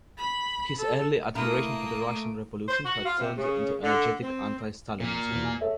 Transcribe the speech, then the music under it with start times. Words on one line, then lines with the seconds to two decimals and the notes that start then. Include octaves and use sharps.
His early admiration for the Russian Revolution had turned into energetic anti-stalinism.
0.17 B5
0.78 A4
1.35 A3 A#3 E4 A#4 D#6 D7
2.68 C5
2.84 F#4
3.04 F4
3.19 C3
3.35 C#3
3.82 D3
4.21 C4
5.00 A#2 A#3
5.29 E2 B2
5.44 G#5
5.61 A4 C#5 E5